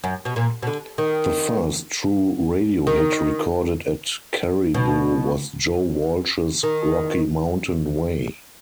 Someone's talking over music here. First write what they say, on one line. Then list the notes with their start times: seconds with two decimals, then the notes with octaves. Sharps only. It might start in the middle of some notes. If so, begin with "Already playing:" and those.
The first true radio hit recorded at Caribou was Joe Walsh's "Rocky Mountain Way".
0.04 F#2
0.25 B2
0.36 A#2
0.62 B2
0.67 D3
0.98 D#3
2.87 D#3
4.74 B2
6.63 D#3